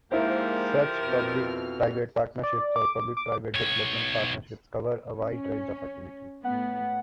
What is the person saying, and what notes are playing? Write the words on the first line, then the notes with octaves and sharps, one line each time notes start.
Such public-private partnerships or public-private development partnerships cover a wide range of activities.
G#2 F3 A#3 E4 G4 A#4 C5
F2 B2 F6
D5
D6
D6
B1 C#5
C#4
A2 B3 F#5